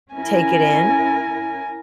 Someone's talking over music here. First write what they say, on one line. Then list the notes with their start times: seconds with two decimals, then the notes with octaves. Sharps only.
take it in
0.15 C#4 E4 A#4 G#5